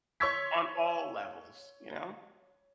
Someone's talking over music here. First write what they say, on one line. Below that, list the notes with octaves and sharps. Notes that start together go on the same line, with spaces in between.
on all levels, you know?
C#5 C6 C#6 E6 G#6 B6